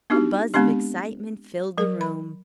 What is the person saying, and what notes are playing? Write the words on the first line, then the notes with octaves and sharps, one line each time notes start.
A buzz of excitement filled the room.
B3 D4 D#4 F#4 G4
G#3 B3 C4 D4 G4
F#3 A#4
B5